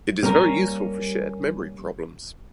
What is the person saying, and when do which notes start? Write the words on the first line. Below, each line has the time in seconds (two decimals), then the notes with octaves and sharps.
It is very useful for shared memory problems.
0.23 G3 A#3 C#4 A#4